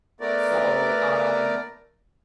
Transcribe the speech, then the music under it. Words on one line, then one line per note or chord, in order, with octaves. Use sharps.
So, um
A3 B3 A#4 D5